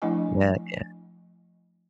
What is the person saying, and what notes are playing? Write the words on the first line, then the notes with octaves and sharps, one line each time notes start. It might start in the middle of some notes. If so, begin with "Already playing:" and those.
Yeah, yeah.
F3 A3 D4 E4 D#5 G#5